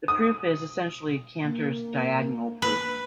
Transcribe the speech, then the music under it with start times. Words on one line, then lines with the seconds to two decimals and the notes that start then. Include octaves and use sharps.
The proof is essentially Cantor's 'diagonal' proof.
0.08 D#6
1.42 A#3
2.62 B4